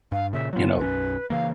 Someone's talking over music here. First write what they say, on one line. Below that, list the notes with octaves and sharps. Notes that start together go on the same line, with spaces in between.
you know
G2 F5
A#2 C#3 E5
F#3 B3 F4
B1 F#2 C#4 B4
C#3 E3 A#3 F5